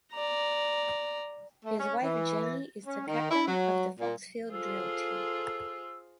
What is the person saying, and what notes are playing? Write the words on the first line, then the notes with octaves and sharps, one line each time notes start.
His wife Jenny is the captain of the Foxfield Drill team.
D5 A#5
A3
C#4
E3
C#4
D#3
E4
F#3
A#2
F4 G#4 A4 C5 E6